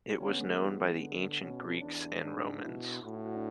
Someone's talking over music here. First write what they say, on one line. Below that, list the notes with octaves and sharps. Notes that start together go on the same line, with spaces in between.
It was known by the Ancient Greeks and Romans.
D3 C#4
B3
G#3
G#3
E3 B3
D3
B2 C#4
E2 D4
G#2 D4
B2 E4
A2 F#4
E4
F#4
D4